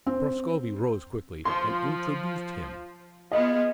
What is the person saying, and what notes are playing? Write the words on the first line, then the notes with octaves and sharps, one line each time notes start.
Prascovie rose quickly and introduced him.
C4
F3 C6
B3 F4 G#4 D#5